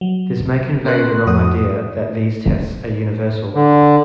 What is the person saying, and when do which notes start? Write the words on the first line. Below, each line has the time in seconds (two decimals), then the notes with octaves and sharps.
This may convey the wrong idea that these tests are universal.
0.01 F#3
0.85 B3 C#4 A#4 C6 F#6
1.26 F2 F#4 D#6
3.55 D3